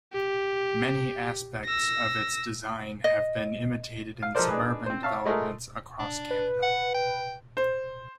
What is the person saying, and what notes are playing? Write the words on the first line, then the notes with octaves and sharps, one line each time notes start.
Many aspects of its design have been imitated in suburban developments across Canada.
G4
E6 A#6
D#5
F5
F3 G#3 A4 A#4 C5 D5
D4 D#4 G#4 B4
C4 C5
C#5 E5 F5 A5
G#3 A3 F4 G#4 A#4
D4
B4
F#5
G5
C5